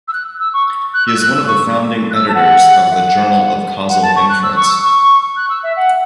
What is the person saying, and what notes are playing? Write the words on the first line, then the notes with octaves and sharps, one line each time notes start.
He is one of the founding editors of the "Journal of Causal Inference".
E6
F#6
E6
C#6
F#6
E6
F#6
E6
C#6
F#6
E6
A5
F#5
E5
F#5
F#5
A5
C#6
F#6
E6
C#6
E6
C#6
F#6
E6
E5
F#5